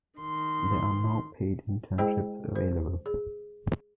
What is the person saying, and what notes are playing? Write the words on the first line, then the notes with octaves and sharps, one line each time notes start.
There are no paid internships available.
D#3 C6
G#3 E4 G#4 C5 D#5 G5
C5
G#4